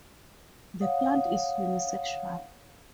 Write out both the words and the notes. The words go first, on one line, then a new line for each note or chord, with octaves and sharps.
The plant is unisexual.
C#5 F5 F#5 D#6